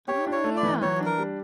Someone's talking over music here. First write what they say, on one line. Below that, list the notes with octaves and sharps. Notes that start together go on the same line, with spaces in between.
Oh, yeah.
G4 C#5
D4
C#5
A3
D5
E3
E3 C#5
D4
A#4
G3